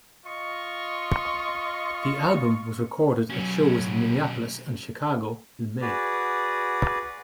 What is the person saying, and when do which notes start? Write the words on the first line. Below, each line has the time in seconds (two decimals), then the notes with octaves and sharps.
The album was recorded at shows in Minneapolis and Chicago in May.
0.24 F4 D#5 C#6
3.30 B2 F#3 C#4
5.81 F#4 G#4 B4 D5